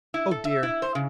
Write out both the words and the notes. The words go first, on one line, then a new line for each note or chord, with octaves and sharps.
Oh! dear.
E4
A4
E5
E4
C5
C#3